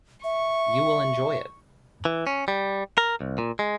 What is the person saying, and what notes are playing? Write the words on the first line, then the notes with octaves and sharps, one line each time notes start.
You will enjoy it.
E5 C#6
E3
C#4
G3
A#4
C2
A#2
G#3